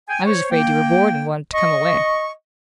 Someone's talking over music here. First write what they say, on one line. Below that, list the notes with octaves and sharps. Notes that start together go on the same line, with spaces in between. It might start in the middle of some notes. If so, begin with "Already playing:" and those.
"I was afraid you were bored and wanted to come away."
G5 G#5
C5 C#5
A#3 G5
D#5 C#6